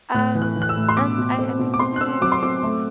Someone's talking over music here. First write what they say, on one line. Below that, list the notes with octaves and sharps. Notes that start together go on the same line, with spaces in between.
um, and I I think my
A2 F#6
E3
F#6
E3
F#6
E6
A2
C6
B2 D6
B2
C4
B2
D6
C4 C6
F#6
C4 E6
F#3 D6
C6
C4 D6
A3